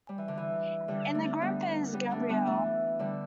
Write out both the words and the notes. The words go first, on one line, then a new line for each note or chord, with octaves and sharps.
In the group is Gabrielle.
G3
E3
D3
E3
D3 G3
A3 D4
G3 B3
G3 B3
A3 D4
G3 B3
E3 A3
D3 G3